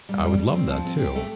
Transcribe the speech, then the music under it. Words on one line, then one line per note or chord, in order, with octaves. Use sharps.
I would love that, too.
G3
G3
G3
C4
F3
C4
G4
A3